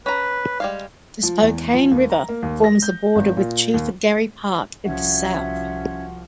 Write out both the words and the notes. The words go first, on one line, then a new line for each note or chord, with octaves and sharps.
The Spokane River forms the border with Chief Garry Park in the south.
C#4 B4 A#5
G3 G#3 F5
F3
E2
F3
D#2
A#5
A#3
D#2
A#6
G6
G#1
A#2
D#2
C2 F3 C#4 F#4 E5